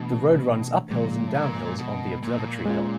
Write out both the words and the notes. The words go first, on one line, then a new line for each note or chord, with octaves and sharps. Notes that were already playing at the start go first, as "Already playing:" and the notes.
The road runs uphills and downhills on the Observatory Hill.
Already playing: B2 E3 A3 D4
A#2 C#3 F3 G#3
A2
A#2
B2
A#2
B2
A#2
G#3 C#4 F4